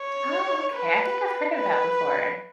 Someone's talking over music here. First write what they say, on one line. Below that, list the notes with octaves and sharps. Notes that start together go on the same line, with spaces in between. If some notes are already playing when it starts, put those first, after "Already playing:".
Oh, okay. I think I've heard of that before.
Already playing: C#5
B4
B4